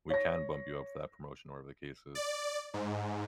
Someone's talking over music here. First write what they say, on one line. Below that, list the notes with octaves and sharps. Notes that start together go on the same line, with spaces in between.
we can bump you up for that promotion," or whatever the case is.
C#5 A#6
D5
G#2